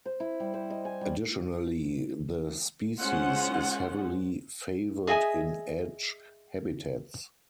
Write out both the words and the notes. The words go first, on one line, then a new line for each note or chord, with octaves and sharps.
Additionally the species is heavily favored in edge habitats.
C5
E4
G3
C5
D#5
G#5
G3
G#3 C#4 F4 C5 F#5
G#4 D#5 E5 G5 G#5